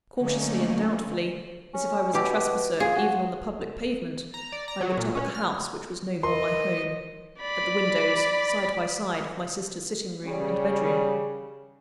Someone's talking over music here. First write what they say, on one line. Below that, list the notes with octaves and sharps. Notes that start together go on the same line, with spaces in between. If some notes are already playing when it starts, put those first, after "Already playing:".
Cautiously and doubtfully, as if I was a trespasser even on the public pavement, I looked up at the house which was no more my home--at the windows, side by side, of my sister's sitting-room and bed-room.
D3 F#3 A3 A#3 C#4 D#4
C#4
B2 E4 G4
F4 G#4
F#4
A#5
D5
A#5
F#3
A#2
C#4
F6
A#4 D#5 C6
D5 B5
C#3 G3